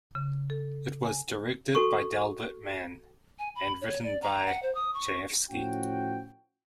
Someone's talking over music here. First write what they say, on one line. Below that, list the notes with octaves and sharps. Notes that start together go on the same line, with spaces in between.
It was directed by Delbert Mann and written by Chayefsky.
C#3
A4
G#5
F#4 A4 C#6
G#5
B5
C#5
D5
A#5
F#5
C5
D#6
C#6
A2 F3 C#4 F#4 G5